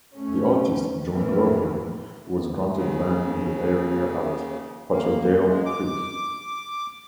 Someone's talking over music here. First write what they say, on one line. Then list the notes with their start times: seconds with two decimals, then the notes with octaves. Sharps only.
The artist John Glover was granted land in the area at Patterdale creek.
0.14 A3 C#4
1.13 F1 A2 E3 A#3
2.76 D#2 C#3
4.92 A#3
5.47 G#3
5.66 D6